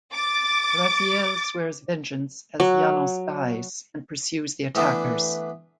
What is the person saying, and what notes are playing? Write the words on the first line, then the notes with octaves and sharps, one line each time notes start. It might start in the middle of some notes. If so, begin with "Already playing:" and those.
Raziel swears vengeance as Janos dies, and pursues the attackers.
D6 A6
F#3
E3 A3 B3 D4